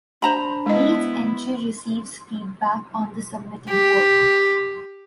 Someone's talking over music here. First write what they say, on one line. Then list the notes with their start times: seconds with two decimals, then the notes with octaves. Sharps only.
Each entry receives feedback on the submitted work.
0.22 D4 C5 A#5 B5
0.66 G#3 B3 E4 D#5
3.69 G4